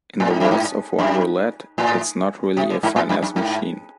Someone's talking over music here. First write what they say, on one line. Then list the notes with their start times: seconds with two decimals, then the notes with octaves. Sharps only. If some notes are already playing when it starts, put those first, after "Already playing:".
In the words of one Roulette, "it's not really a finesse machine".
0.20 A2
0.30 G#2
0.40 F#2
0.51 G#2
0.99 F#2
1.78 A2
2.57 C3
2.70 C#3
2.83 G#2
2.96 A2
3.09 F#2
3.23 F#2
3.36 G#2